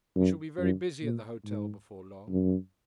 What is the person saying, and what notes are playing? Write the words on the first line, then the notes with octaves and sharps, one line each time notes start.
We shall be very busy at the hotel before long.'
F#2
F#2
A#2
G#2
F#2